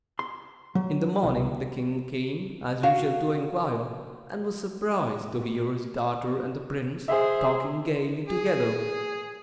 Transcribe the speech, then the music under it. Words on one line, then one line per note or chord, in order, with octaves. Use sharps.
In the morning the king came as usual to inquire, and was surprised to hear his daughter and the prince talking gaily together.
C6
F#3
C2
F#4 F5
G#4 C5 E5
G#4